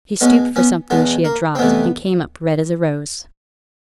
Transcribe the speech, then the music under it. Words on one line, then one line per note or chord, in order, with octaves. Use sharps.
She stooped for something she had dropped, and came up red as a rose.
B2 G#3 B3 C#4
B3 C#4
E2 B2 G#3 B3
A#3
C4
F2 C3 E3 A3 B3